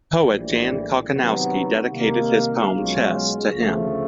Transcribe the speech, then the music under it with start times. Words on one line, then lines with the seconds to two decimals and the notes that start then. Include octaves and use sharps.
Poet Jan Kochanowski dedicated his poem "Chess" to him.
0.25 A#1 A2 E3 G3
1.07 C3 D#3 F#3 B3
1.88 C3 D#3 G3 A#3
2.70 B1 B2 G#3 C#4 F4
3.51 D2 C#3 F3 A3